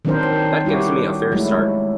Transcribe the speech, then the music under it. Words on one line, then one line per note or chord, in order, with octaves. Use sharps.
That gives me a fair start.
D#3 F#3 C4 D4 A#4 C5
G3 E4 F#4 G4
F#3 G#3 A3 E4